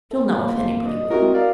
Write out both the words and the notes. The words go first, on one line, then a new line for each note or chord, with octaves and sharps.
She'll know if anybody will.
A4
A#3
C5
D4 D#5
C4 E4 F#4 G4 A#4
A#4 D5 F5